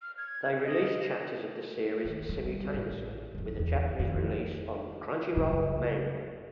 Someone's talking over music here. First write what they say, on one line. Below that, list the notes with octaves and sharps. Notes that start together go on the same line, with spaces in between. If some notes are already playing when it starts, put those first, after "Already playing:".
They released chapters of the series simultaneously with the Japanese release on "Crunchyroll Manga".
F6
G#6
D#5
D#3
G3
A1
F#1 F#3
E2
F2 D#3
F#2 C#3